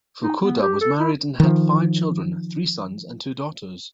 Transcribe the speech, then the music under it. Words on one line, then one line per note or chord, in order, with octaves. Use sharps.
Fukuda was married and had five children: three sons and two daughters.
D#4
B3
G4
A4
E4
D#3 F3